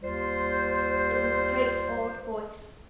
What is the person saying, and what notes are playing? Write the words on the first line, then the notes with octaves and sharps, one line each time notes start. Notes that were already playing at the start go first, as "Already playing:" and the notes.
It was Drake's awed voice.
D#2 G3 F4 C5